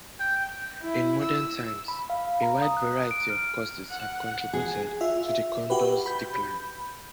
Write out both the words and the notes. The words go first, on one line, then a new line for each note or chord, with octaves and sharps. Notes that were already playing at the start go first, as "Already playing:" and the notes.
In modern times, a wide variety of causes have contributed to the condor's decline.
G5
E4
E6
B5
F5
A#5
D#6
F#6
D7
F6
F#5
G#4
F4 E5
F#4 G4 B4
B5 G6